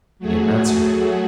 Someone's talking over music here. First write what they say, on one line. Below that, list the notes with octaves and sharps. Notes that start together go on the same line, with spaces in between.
He didn't answer.
F#3 A3 F#4 G#4